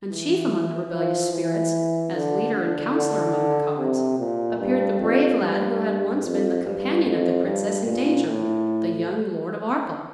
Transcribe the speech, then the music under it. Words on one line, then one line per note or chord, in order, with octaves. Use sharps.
And chief among the rebellious spirits, as leader and counsellor among the Cods, appeared the brave lad who had once been the companion of the princess in danger, the young Lord of Arkell.
E3
F3
E3
D3
D3
D3
C3
A#2
G2
F2
G2
F2
G2
F2
G2
A#2
A2